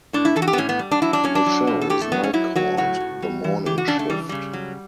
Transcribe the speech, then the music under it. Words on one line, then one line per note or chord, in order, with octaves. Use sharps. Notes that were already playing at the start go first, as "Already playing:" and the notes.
The show is now called "The Morning Shift".
A2 D4
E4
E3 A4
F#4
G4
B3
A2 C#4
B3
G3
D4
F#3 E4
D4
F#3 C#4
D4
F#3
B2
A4
A2 G4
A3
F#3 B3
C#4
F#3 E4
F#3 F#4
A2 F#4
A2
G3
E3
E3 G4
F#4
C#3 D4
A3
E3 G3
C#3 G3
F#3